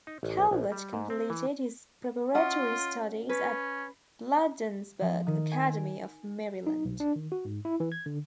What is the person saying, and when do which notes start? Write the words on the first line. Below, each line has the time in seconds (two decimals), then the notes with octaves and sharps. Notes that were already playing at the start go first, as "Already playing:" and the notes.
Calvert completed his preparatory studies at Bladensburg Academy of Maryland.
0.07 D#4
0.23 A1
0.39 B1
0.51 A#1
0.72 G3
0.93 G#2
1.10 C4
1.30 E3
2.35 C#4 F4 D#5 F#5
3.29 C#4 B4
5.01 F3
5.27 D#3
5.52 G#5
5.77 D7
6.67 D#4
6.85 B1
7.00 D4
7.16 D#3
7.32 F#4
7.45 G#2
7.65 E4
7.80 E3
7.92 G#6
8.06 D3